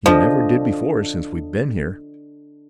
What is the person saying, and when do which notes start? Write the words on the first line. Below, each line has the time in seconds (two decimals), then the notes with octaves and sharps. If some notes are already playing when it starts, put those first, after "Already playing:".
You never did before since we've been here.
0.06 F3 D4 A4 D#5